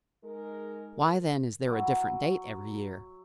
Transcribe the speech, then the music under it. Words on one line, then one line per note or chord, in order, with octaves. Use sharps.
Why then is there a different date every year?
G#3 D#4 A#4
F#3 E4